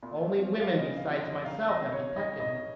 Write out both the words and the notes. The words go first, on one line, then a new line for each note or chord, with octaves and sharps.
Only women besides myself have detected him.
A#2
F3 C#4
F5
A#2 D#5
F5
F3 C#4
D#5
D#3 F5
D#5
C#4
C#5
D#3 D#5
D#5
C#4